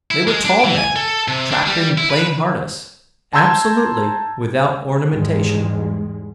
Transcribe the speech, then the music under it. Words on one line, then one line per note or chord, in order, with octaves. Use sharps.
They were tall men trapped in plain harness, absolutely without ornamentation.
E4
G#3
D4
E3
G#5
A4
C3
D4
G3
E4
B4
A5 A#5 C6 E6 G6 G#6
E2 G#2 G3 G#3